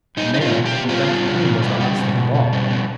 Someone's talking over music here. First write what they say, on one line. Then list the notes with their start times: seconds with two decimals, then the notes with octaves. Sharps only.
And there in the back of the room was the oddest thing of all.
0.17 G3 D#4
0.34 G3 D#4
0.41 F4
0.53 B2
0.65 G4
0.71 B2
0.89 G3 F4
1.08 G3
1.26 B2
1.43 B2
1.62 G3
1.80 G3
1.98 B2
2.15 B2
2.34 B2
2.52 G3
2.70 B2